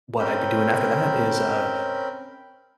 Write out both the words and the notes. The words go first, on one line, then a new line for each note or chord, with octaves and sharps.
What I'd be doing after that is, uh
C4 C#4 A#4 B5 G6